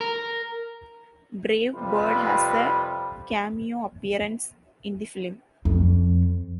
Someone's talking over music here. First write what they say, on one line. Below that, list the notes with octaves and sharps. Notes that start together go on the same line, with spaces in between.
Brave Bird has a cameo appearance in the film.
A#4
F2 C3 G3 F4 B4
F2